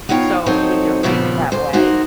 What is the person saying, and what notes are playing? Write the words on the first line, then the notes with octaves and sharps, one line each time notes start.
So, when you're raised that way,
B3 D#4 F4 C#5 G5
F#3 C4 D#4 A4 C5 C#5
A#2 C#3 F3 G3 B3 C4
D2 C5
A#3 D#4 F#4 C5